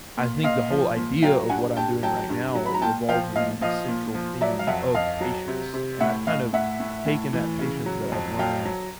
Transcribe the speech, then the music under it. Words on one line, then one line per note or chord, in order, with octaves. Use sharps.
I think the whole idea of what I'm doing right now revolves around the central theme of patience, and I've kind of taken that patience that I've learned
A#2
A#2 D#5 F5
F3
A#2
F#3 F5 G5
G2 F#5 G#5
G2 G5 A5
F#3 G5 A5
G2
F#3
B5
A#5
A#2 G5 A5
F3 F5 G5
A#2 D#5 F5
F3 D#5 F5
A#2
F3
F#3 D5 E5
F5
F2 E5 F#5
F2 D#5 F5
F#3
C3
C3
A2 E5 F#5
A2 D#5 F5
A2 E5 F#5
A2
A2
E3
C#3
F#3
F2
F#3 F5 G5
F#3